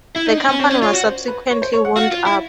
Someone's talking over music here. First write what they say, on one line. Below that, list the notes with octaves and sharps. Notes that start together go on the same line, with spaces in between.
The company was subsequently wound up.
E4 E5
D#4 D#5
D4
C#4
C4 C#5
C#4 D5
F4 C#5
F#4
C5
B4
C#5
C5
C#5
F#5
F#4 F5
F4
E4